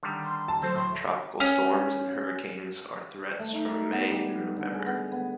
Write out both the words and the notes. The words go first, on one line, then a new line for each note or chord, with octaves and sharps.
Tropical storms and hurricanes are threats from May through November.
D3 D#3 G3
C6
A5
D2 F#3 C4 A4 C5
A2 C6
C#4
A3
D#4
A#4
B3
G3
D3
G#4
B3
B3